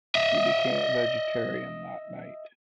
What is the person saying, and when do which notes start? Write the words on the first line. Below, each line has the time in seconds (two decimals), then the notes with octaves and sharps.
She became a vegetarian that night.
0.15 D#5 E5